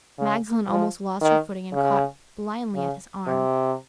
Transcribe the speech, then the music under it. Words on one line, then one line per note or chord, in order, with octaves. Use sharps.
Magdalen almost lost her footing and caught blindly at his arm.
C#3
F3
D#3
C#3
C#3
C3